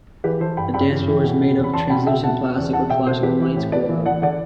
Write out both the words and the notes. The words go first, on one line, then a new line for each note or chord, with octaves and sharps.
The dance floor was made of translucent plastic with flashing lights below.
E3 G4 B4
E3 A4 C5
G2 G5 B5
G2 G5 B5
E3
E3
B2
B2
E2
B5
E2 A5 C6
B2 G5 B5
B2 E5 G5
B2 F#5 A5
B2
E2
E2 F#5 A5
B2 E5 G5
B2 A4 C5
E3 G4 B4
E3
A2
A2 B4 D5
E3
E3 D5 F#5
D3 D5 F#5